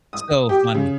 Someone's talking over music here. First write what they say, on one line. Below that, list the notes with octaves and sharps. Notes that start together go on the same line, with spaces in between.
So funny.
D#6
G4
C#3